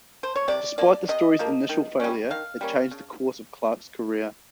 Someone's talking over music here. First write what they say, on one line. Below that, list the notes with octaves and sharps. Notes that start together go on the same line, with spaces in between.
Despite the story's initial failure, it changed the course of Clarke's career.
C5
C#5
C3 D5
F3 A#3 D5
C3 D#5
F3 A#3
D#3
G3 A#3 C#4
D#3 F5
G3 A#3 C#4
C#3